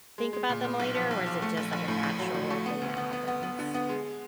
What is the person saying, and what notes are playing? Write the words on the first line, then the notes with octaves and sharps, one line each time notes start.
think about them later, or is it just, like, a natural thing that happens?
G#3
G#3
A#2
A#2
B1
F3
B1
F3
A3
A#1
A#1
A2
A#1
F#3
A2
A3
B3
D2
B3
B3
B3
B3
D3
B3
G#3